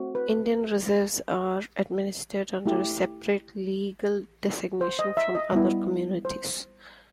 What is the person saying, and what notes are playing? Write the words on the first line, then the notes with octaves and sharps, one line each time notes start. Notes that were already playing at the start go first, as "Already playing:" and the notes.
Indian Reserves are administered under a separate legal designation from other communities.
Already playing: A3 C4 F#4
B4
A3 E4 G4
C5
D#5
E5
D#5
G3 B3 E4
C5